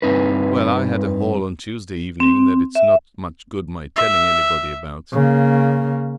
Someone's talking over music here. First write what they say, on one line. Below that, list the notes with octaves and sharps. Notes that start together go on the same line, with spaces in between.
"Well, I had a haul on Tuesday evening that it's not much good my telling anybody about."
G2 C4 D#4 B4
C4
E5
E5
C#3 A#3